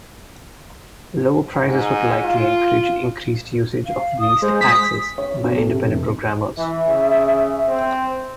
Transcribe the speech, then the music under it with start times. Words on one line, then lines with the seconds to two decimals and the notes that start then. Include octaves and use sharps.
Lower prices would likely encourage increased usage of leased access by independent programmers.
1.65 G#2
2.23 F4
3.86 F5
4.19 D#6
4.42 G#3 C5
4.61 D#6 B6
5.18 C#5
5.44 B2
5.57 A4
5.69 C3
5.87 F1
6.58 E3 E5
6.88 C#3
7.68 C4